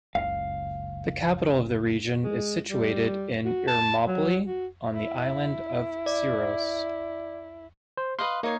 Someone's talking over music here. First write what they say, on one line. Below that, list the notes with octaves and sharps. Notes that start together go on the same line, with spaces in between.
The capital of the region is situated in Ermoupoli on the island of Syros.
F#1 C#2 F5
G#3
G3
F#4
A5
F#3
F#4
E4
D5
C5
B4 D#5 F5 C6
A#3 D#4 C#5 F5